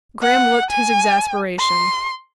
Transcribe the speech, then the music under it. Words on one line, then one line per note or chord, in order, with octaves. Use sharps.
Graham looked his exasperation.
F#5
G#5
C6